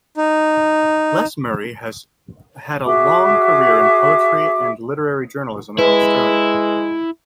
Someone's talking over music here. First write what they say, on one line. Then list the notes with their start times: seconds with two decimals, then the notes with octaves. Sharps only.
Les Murray has had a long career in poetry and literary journalism in Australia.
0.17 D#4
2.85 F#4 G#4 E5 D6
5.79 G#3 E4 B4